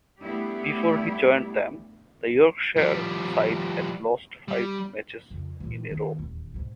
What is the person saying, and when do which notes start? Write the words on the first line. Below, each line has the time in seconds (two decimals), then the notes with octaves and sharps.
Before he joined them, the Yorkshire side had lost five matches in a row.
0.22 G3 A3 B3 D4 E4 G4
2.77 F3 G3
4.48 G3
5.30 F2 C#3
5.60 A#2 E3
5.89 D#3 B3
6.19 D#1 E2
6.54 G#2 B2